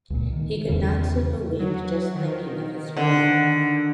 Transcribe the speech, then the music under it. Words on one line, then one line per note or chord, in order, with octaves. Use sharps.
He could not sleep a wink just thinking of his family.
C#2 A#2
D#3
E2 C#3
F#3
D#3
D3